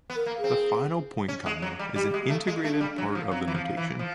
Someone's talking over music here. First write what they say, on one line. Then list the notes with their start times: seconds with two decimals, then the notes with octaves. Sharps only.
The final point-comma is an integrated part of the notation.
0.10 B3
0.16 A#4
0.26 A#3
0.38 G#4
0.44 C4
1.28 C#4
1.46 G#3
1.62 F#3
1.79 G3
1.96 G3 G4
2.14 G#3
2.30 A3
2.48 G#3
2.64 A3 D4
2.81 G3
2.98 F#3
3.15 F3
3.31 F#3 C4
3.48 E3
3.54 F3
3.77 E3
3.99 F3